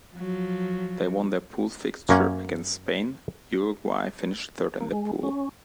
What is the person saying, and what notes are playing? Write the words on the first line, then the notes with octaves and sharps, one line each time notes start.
They won their pool fixture against Spain, Uruguay finished third in their pool.
F3 F#3
F#2 A#3 C#4 F#5
A#3
G#3
C#4